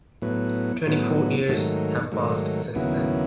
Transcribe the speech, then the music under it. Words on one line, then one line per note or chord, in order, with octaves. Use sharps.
Twenty-four years have passed since then.
A2 F#3 B3
A2 F#3 B3
G#2 D#3 F#3 A3
G#2 D#3 F#3 A3
D#2 C#3 F#3 B3 E4